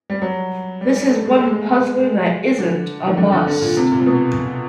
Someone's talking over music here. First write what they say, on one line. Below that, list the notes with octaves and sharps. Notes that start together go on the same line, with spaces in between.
This is one puzzler that isn't a bust.
G3
F#3
G3
G3
A3
G#3
A3
G#3
G#3
D3
D#3
D3
D3
D3
A#2
C3
A#2
C3
B2